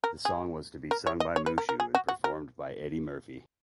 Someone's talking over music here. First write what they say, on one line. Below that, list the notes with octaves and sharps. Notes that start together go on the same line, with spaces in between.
The song was to be sung by Mushu and performed by Eddie Murphy.
A#4
G#4
A#4
C#5
D#5
C#5
B4
A#4
A#4
G#4
F#4
F#4
A#4